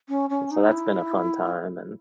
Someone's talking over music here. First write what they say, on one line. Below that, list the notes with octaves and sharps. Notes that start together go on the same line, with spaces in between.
And so that's been a fun time, and,
C#4
C#4
D#4
E4